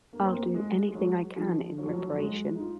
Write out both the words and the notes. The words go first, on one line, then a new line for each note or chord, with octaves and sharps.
I'll do anything I can in reparation.'
A#3
C4
A#3
G#3
G#3
F#3
F3
F#3
F3
F#3
F#3
G#3
D#4
F4